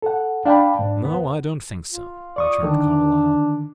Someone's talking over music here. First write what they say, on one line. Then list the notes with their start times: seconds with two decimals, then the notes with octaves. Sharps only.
"No, I don't think so," returned Carlyle.
0.02 A4 F#5
0.45 D4 F5 G5 B5
0.79 G#2
1.05 D#2 B3
1.91 F4
2.36 D5 C#6 D#6
2.63 D3 D#3 D4